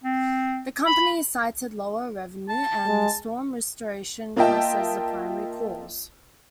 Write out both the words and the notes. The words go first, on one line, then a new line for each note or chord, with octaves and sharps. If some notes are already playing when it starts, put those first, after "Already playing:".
The company cited lower revenue and storm restoration costs as the primary cause.
C4
B5
A5
G#3
A#3 F4 D#5 E5 G5 A5